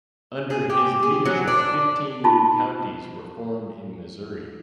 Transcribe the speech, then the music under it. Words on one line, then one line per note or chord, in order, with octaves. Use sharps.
Under his leadership fifteen new counties were formed in Missouri.
G#4
G4
G#4
F#3
D4
D#4 F4 A5 B5